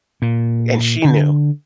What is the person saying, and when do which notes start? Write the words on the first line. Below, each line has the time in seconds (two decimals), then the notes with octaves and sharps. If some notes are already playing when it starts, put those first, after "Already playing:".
and she knew.
0.22 A#2
1.04 D3